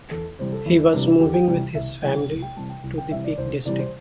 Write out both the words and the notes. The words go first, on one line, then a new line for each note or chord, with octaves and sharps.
He was moving with his family to the Peak District.
E2 A4
C3 E3 G3 C5
A4
E2 E4
C3 E3 G3 D4
E4
E2 G4
G5
C3 E3 G3 G5
C2 E5
C3 E3 G3 G5
C2
G5
C3 E3 G3 A5
G5
C2
G5
C3 E3 G3 E5
D5
C2 C5
C3 E3 G3 D5
C5